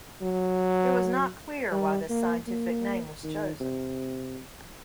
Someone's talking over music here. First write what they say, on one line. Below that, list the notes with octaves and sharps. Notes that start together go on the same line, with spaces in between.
It was not clear why this scientific name was chosen.
F#3
G3
A#3
A#3
D#3
C3